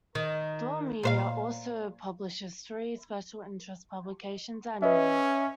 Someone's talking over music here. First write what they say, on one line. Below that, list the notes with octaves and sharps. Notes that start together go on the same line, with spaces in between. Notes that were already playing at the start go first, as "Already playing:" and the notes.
Dwell Media also publishes three special interest publications annually.
D#3
A#2 C5 F5
C#4 B4 D#5 E5